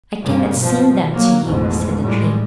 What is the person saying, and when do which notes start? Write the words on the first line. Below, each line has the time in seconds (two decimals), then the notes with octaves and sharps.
"I cannot sing them to you," said the dream.
0.23 G2 C#3 A#3
0.58 B2 F3
1.15 F#3 A#3
1.43 A1 F2 G#2 B2
2.02 A2 G3 G#3